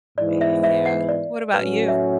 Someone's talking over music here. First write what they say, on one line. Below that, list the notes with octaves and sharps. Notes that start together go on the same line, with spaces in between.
y-yeah, what about you?
G#2 E3 B3 E4 D5
E5
E5
F#5
D5
A2 F#3 C#4 B4
E5